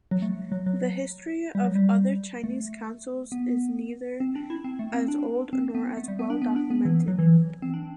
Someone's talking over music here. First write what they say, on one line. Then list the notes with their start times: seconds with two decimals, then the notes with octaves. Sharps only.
The history of other Chinese councils is neither as old nor as well documented.
0.11 F#3
0.22 A3
0.52 F#3
0.66 F#3
1.55 G3
1.65 F#3
1.75 G3
2.44 A3
3.32 B3
4.20 C4
4.36 D4
4.50 E4
4.64 C4
4.79 A3
4.94 C4
5.08 D4
5.53 C4
5.75 B3
5.97 A3
6.08 G3
6.19 B3
6.30 D4
6.42 B3
6.56 D4
6.71 B3
6.85 E3
7.08 F#3
7.19 E3
7.62 C4
7.74 D4